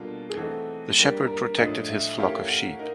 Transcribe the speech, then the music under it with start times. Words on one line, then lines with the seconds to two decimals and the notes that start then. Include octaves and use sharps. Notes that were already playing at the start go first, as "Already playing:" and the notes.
The shepherd protected his flock of sheep.
Already playing: B2 G3 A#3 D4 F4 A4
0.30 G#4
0.37 E3 A3 C4 D#4 F#4 A4
0.98 G3 A#3 D4 G4 A#4
1.27 A#4
1.57 A2 F3 A3 D4 F4 D#5
1.89 E5
2.18 A3 C#4 E4 G4 A#4 F5
2.49 F#5
2.79 D#4 A#4